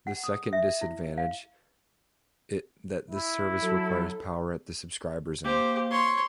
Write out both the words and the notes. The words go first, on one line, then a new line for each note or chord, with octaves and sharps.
The second disadvantage it that this service requires power at the subscriber's end.
F#5
D#6
E5
E4
F5
E4
F#3 A4
A#3 G4 C5
C#5 C6